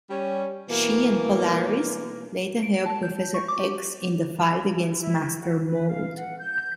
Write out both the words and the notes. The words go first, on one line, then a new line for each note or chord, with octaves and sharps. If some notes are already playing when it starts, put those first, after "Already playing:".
She and Polaris later help Professor X in the fight against Master Mold.
G3 C#4
B2 E3 A#3
D7
A5
G6
C#6
D6
G4
E4
F#4
B4
F5
F#5
G6